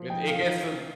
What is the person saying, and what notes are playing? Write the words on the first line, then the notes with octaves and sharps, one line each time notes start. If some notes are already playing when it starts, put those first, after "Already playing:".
It it gets to
Already playing: F3
D#4 G5
F5
D#4